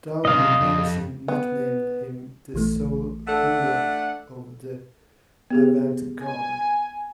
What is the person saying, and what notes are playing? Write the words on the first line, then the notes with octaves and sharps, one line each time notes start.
DownBeat Magazine nicknamed him The Sol Hurok of the avant garde.
B1 C3 D#5 F5
F2
B3
A#1 E3 A3
A3 D4 A4 F#5 E6
B3 G4 G#4
G#5